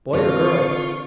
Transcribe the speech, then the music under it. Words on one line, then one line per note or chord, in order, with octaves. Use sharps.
"Boy or girl?"
D3 C4 F4 C#6